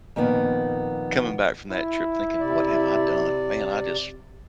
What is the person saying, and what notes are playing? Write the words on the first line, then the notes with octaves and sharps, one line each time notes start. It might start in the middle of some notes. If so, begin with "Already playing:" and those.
coming back from that trip thinking, "What have I done? Man, I just"
F2 A#2 D#3 B3
E4
C3 D5